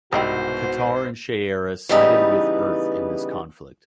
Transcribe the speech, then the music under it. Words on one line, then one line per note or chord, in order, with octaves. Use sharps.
Katar and Shayera sided with Earth in this conflict.
C2 G#2 B2 D#3 G3 C4 F#4 C5
C#3 E3 G3 B3 D#4